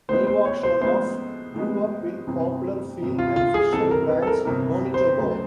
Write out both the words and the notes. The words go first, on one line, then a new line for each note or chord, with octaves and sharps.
Nevakshonoff grew up in Poplarfield and Fisher Branch, Manitoba.
A2 F3 G#3 B3 C5
C5
C#5
C5
A2 F3 G#3 B3 C5
A2 F3 G#3 B3
G1 F2 C3 E3
G1 F2 C3 E3
F4
F4
G#4
G1 F2 C3 E3 A4
A#4
B4
A4
A#4
G1 F2 C3 E3 A#4
C5
D2 C#3 F#3 A3